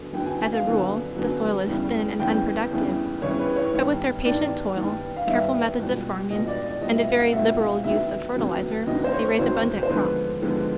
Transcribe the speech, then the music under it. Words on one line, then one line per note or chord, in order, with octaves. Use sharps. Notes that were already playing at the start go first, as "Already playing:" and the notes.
As a rule, the soil is thin and unproductive, but with their patient toil, careful methods of farming and a very liberal use of fertilizer they raise abundant crops.
Already playing: F#2 D3 F#3 B3
F#2 D3 F#3 B3 G5
G#5
G#5
F5
F#2 D3 F#3 B3
F#2 D3 F#3 B3
E2 C#3 E3 G3
E2 C#3 E3 G3 G5
E2 C#3 E3 G3
E2 C#3 E3 G3 C#5
B4
C#5
G2 D#3 G3 B3
G2 D#3 G3 B3 D5
G2 D#3 G3 B3
F5
G2 D#3 G3 B3 E5
C#2 B2 G3
C#2 B2 G3 D#5
D5
D5
C#2 B2 G3 D#5
E5
F5
F#5
C#2 B2 G3 E5
F5
D2 C3 D#3 F#3 B3 E5
D2 C3 D#3 F#3 B3
D2 C3 D#3 F#3 B3 D#5
C5
C#5
D2 C3 D#3 F#3 B3 C5
C5
D#2 D3 F3 G#3 B3 B4
D#2 D3 F3 G#3 B3